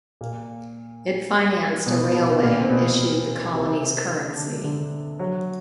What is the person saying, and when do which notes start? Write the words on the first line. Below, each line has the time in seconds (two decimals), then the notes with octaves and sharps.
It financed a railway and issued the colony's currency.
0.21 A#2 A#3
1.86 B2 B3
2.14 B2 B3
2.32 B3
2.43 A#2 A#3
2.61 C4
2.70 B2 B3
3.53 C3 C4
4.36 D3 D4
4.64 D3 D4
5.19 F#3 F#4